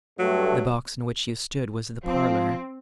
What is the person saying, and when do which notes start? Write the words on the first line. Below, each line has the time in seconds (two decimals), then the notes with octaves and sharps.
The box in which you stood was the parlor.
0.19 G2 F#3 A3
2.05 F3 C4